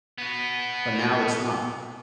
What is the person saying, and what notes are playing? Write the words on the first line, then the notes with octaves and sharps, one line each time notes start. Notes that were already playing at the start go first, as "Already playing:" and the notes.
but now it's not
B3 F#4